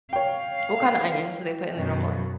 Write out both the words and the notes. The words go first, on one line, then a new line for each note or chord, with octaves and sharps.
What kinda onions do they put in there normally?
C#5 F5 G5
F#2 B2